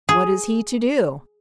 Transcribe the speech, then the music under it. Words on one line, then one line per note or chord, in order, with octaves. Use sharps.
What is he to do?
G#4